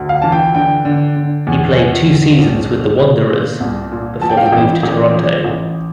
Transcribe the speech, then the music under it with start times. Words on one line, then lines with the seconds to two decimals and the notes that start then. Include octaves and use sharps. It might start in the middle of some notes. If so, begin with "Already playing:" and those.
He played two seasons with the Wanderers before he moved to Toronto.
Already playing: D2
0.09 F5
0.22 E3 A5
0.32 G5
0.55 D3 G5
0.85 D3
1.16 D3
1.47 E2
1.77 F3
2.08 E2
2.38 C2
2.69 F3
2.99 F3
3.31 A#2
3.60 C2
3.92 A#2
4.22 F3 A5
4.30 G5
4.37 F5
4.46 G5
4.52 A1
4.83 A1
5.14 F3
5.44 A1